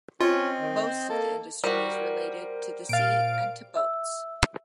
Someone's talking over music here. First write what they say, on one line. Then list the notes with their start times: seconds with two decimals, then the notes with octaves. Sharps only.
Most of the industry is related to the sea and to boats.
0.21 C4 C#4 F4 D#5
0.60 D#3
0.86 C5
1.10 A#3 A4
1.64 G3 F#4 A#4 C5
2.89 A#2 F5 A6 D7
3.76 E5 E6